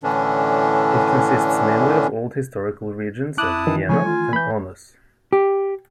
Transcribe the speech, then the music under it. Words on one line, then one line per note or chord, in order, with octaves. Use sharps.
It consists mainly of old historical regions of Viena and Aunus.
A2 D3 E3 C#4 D4
E4 A5 D6 D#6 F#6
D#3 E3
C#3 F3 A3 C#5 G#5
F4
E3 B5 G6
G4